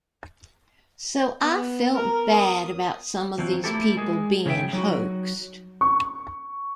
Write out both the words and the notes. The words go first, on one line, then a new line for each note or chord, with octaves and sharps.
So I felt bad about some of these people being hoaxed.
B3
A#4
D#6
E2 F3 F#3 C4
A3 A#3 E4 G4 A4
G#3 G#4
C#3 G#4 A4 E5 G5
F#3 D#4 F#4
C#6